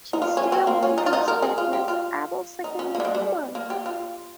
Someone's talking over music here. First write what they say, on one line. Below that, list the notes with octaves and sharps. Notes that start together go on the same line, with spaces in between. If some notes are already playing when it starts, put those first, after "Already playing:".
She still remains Batman's able second-in-command.
D#4
F4
C#4
C4
A#3
C#4
D#4
F4
D#4
A#4
G#4
F4
G4
F4
D#4
C#4
A#3
G3
G#3
G3
A#3
G4
F4